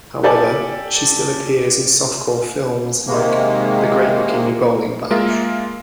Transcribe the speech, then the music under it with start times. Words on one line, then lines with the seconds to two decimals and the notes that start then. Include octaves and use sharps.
However, she still appears in softcore films like "The Great Bikini Bowling Bash".
0.23 G4 A4 D5 G#5
3.06 C3 D#3 G#3 A#3
5.11 G#3 A#3 F4 A#4 E5